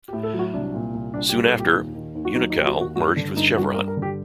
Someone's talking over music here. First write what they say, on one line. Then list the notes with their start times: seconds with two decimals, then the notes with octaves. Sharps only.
Soon after, Unocal merged with Chevron.
0.08 G4
0.13 A2
0.23 A4
0.34 F#3
0.39 F#4
0.54 C2 D4
0.74 A#2
0.94 C2
1.14 G3 D4
1.29 G4
1.34 C2
1.45 A4
1.54 A#2
1.60 G4
1.75 D#2
1.95 D#3
2.15 D#2
2.25 F#4
2.35 F#3 D#4
2.50 D#4
2.56 D#2 G4
2.66 F#4
2.75 D#3
2.81 F#4
2.96 G2 F#4
3.16 D3 D4
3.37 G2 D#4
3.57 G3 F#4
3.72 A#4
3.78 G2
3.88 A#4
3.97 D3
4.02 G4